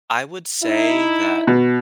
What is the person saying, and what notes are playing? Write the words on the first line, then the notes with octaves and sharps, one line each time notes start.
I would say that
D#4 E4
B2